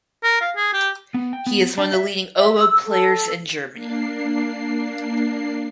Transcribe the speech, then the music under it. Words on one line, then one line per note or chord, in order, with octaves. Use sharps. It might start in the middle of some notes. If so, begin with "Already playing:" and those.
He is one of the leading oboe players in Germany.
A#4
F5
G#4
G4
B3
G5
B3
D4
E5
E5
E6
A4
A#3 D4 C7